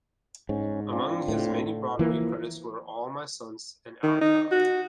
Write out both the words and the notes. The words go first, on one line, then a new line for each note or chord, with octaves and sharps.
Among his many Broadway credits were "All My Sons" and "Our Town".
G#2 C#4
C4 D4 F4
A2
E3 F3 A#3
D#3
D#4
F#4